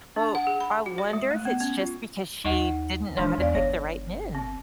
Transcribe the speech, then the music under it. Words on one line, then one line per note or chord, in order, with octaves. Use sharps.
Well, I wonder if it's just because she didn't know how to pick the right men.
D4
F#5
G#4
B5
F#4
D5
G#3
A3
B3
C#4
F4
D#2 D#4 D#5 F#5
D#1 E3 G#3 D4
E2 B3 D5 F5
G1 C#5
C4